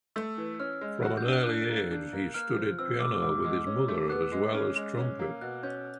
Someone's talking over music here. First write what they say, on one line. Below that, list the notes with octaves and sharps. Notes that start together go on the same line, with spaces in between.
From an early age he studied piano with his mother as well as trumpet.
A3 E6
E3
C#4 F6
G#3
F#4 F#6
G6
D4
F#6
D4 F#6
A#3
D4
A#3
A#3 F6
F3
C4 E6
A3 D6
G#2 D6
G#3
C#4
A3
B3 F#6
G#3
C#4 F6
G#3
C#4
A#3
B2 F#6
C#4 G6